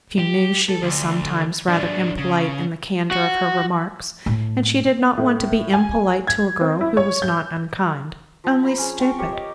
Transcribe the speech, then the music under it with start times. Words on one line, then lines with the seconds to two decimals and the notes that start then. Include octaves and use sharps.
She knew she was sometimes rather impolite in the candor of her remarks, and she did not want to be impolite to a girl who was not unkind--only stupid.
0.19 G4
0.69 A4
0.82 D2
1.69 F#3 D4
2.18 C#3
3.11 F#4
4.26 A2
5.17 A2
5.73 G#5
6.27 G#6
6.61 C4
6.81 E4
6.97 C#5
7.22 G6
8.44 F3
8.63 C5 A#5 B5
8.78 C#4 G#4
9.00 G5 C6 C#6
9.19 G4 A#4 C#5
9.32 D#5